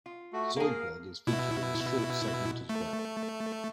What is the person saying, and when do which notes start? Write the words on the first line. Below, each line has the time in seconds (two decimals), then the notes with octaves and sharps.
Zoidberg is featured in a short segment as well.
0.06 F4
0.33 A3 F#4
0.56 A#3 G#4 A#4 F5
1.27 B2 E4
2.69 A3